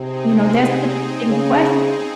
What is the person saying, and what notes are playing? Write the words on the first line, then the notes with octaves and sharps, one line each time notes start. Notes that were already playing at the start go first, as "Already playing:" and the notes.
You know, that's the big question.
Already playing: C3 C4 D#4 G#4
C#3